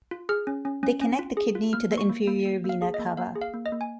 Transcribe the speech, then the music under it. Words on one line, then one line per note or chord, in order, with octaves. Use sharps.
They connect the kidney to the inferior vena cava.
F4
G#4 F6
C#4
C#4
C#4
C#4
F4
G#4
F4
A#3 F6
A#3
C#6
A#3
A#3
A#3
A#3
F5
G#4
D#5
A#3
A#3 F5
G#4
F5
A#3
D#5
A#3
G#5